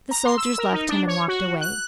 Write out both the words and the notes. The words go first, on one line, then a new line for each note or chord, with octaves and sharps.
The soldiers left him and walked away.
A#5
C6
E6
A#4
D#4
D4
C#5
F#4
F#6